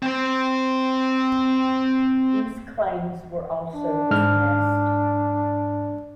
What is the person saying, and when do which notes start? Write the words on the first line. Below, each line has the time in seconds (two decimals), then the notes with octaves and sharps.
These claims were also dismissed.
0.02 C4 C5
3.75 D4
4.11 G#2 F6